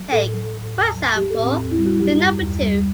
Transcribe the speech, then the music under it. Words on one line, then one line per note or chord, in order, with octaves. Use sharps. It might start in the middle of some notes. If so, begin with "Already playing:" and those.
Take, for example, the number two.
Already playing: F#3
A2 A4
F#3 A4
A2
E2
F#3
F#3 G4
A4
A2
C4
E2
E4
G3
F#4
F#3 G4
F#2
D#2
G3